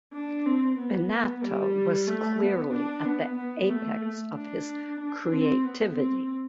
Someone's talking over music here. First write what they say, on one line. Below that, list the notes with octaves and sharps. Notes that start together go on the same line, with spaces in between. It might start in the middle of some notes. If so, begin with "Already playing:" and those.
Bennato was clearly at the apex of his creativity.
D4
C4
B3
G3
A3
B3
D4
B3
B3
A3
D4
D4
C4
B3
C4